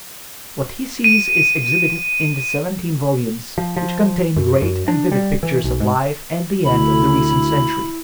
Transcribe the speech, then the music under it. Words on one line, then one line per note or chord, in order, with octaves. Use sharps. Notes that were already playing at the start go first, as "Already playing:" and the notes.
What he sees is exhibited in the seventeen volumes, which contain great and vivid pictures of life at the end of the recent century.
D#7
F3
F3
F#2
F#2
D4
G3
E3
B1
G#2
D2 E4 B5